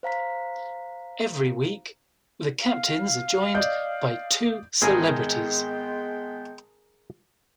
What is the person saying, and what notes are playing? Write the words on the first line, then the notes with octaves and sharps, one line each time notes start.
Every week, the captains are joined by two celebrities.
C5 F5 A#5 B6
F5
D5 D#5 G6
G#1 G#3 B3 G#4 A#4 G5 G#5